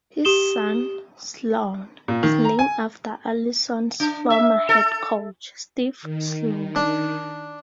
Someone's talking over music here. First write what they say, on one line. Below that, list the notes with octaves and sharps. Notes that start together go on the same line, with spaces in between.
His son, Sloan, is named after Allison's former head coach, Steve Sloan.
G4 D#6 E7 G7
A#2
D#3
A#5
G#5
D4
E5
A4
D#3
D4